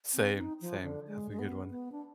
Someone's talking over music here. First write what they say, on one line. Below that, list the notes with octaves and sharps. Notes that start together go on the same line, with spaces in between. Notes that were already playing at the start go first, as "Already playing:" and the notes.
Same, same. Have a good one.
C4
D#4
F3
D3
G#3
G#3
B3
B3
D4